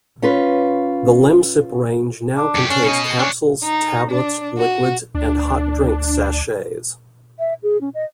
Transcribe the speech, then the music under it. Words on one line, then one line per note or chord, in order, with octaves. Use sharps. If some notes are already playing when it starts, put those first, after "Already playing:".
The Lemsip range now contains capsules, tablets, liquids, and hot drink sachets.
C#4 F4 B4
D4
F#2 G4
C#4 D4
B2 D#5
C#4 D4 C#5
D#4
D4
F#4
D2 D4
E5
G#4
C#4
D#5